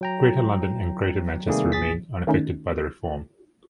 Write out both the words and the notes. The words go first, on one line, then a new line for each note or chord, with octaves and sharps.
Greater London and Greater Manchester remained unaffected by the reform.
F#3 G5 A#5
C3 D#3 G3 A3 A#3 G#4
A#1 A#2 G#4 A6 B6
D#3 A3 C#4 D#4